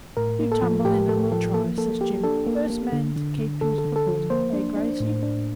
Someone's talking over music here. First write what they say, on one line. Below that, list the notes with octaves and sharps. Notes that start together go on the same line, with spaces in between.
'You tumble in and we'll try,' says Jim; 'first man to keep you for good--eh, Gracey?
A2 A#4
A#3
A4
F3
A2 G4
A2 A4
F3 A4
A#3 A4
A#3 A4
A#3 G4
D4 A4
A#3
A#3
D3
D3
D3
D3 A4
A4
D3
A4
F3
A#3 C5
D4
D4
A2
D4